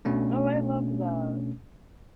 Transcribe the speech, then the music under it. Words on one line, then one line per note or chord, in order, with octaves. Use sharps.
Oh, I love that.
B2 A3 C#4 D4